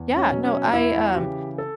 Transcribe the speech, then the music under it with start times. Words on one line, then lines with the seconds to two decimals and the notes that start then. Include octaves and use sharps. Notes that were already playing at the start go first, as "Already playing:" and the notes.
Yeah, no, I, um
Already playing: E2
0.16 C#4
0.30 B2 F#3
0.44 C#4
0.73 E2 E4
1.08 F#4
1.16 C#3 E3 G4
1.58 A4